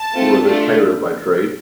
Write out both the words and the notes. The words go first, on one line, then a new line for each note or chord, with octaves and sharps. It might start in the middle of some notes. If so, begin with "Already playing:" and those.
He was a tailor by trade.
Already playing: A5
A3 C4 F4 A4
A3 D4 F4 A4